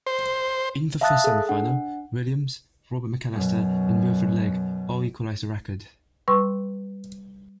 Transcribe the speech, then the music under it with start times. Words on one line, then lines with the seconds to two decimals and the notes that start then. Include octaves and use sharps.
In the first semifinal, Williams, Robert McAllister, and Wilfred Legg all equalized the record.
0.07 C5
1.01 E5 F5 A5 D#6 F#6 A6
1.24 G#4 A4
1.49 D4 F#5
3.32 F#2 B2
6.28 G3 B4 C6 C#6 E6